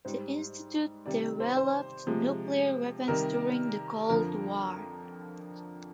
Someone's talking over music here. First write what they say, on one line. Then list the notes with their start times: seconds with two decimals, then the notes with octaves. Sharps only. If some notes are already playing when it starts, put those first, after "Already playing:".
The institute developed nuclear weapons during the Cold War.
0.05 G#2 G3 C5
1.06 C3 D#3 G3 D5
1.40 C5
1.57 C5
2.07 C3 F3 G#3
3.08 C3 D#3 G3 A#4
4.09 F2 D3 F3 A#4